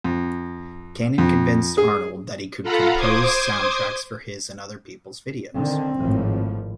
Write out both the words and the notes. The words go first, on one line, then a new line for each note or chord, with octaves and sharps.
Cannon convinced Arnold that he could compose soundtracks for his and other people's videos.
F2
F2
G#4
F4 A4 F5 F#5 A#5 B5
C5 C6 D6 D#6 G#6
D3 D#3 C4
G#1 A2 F3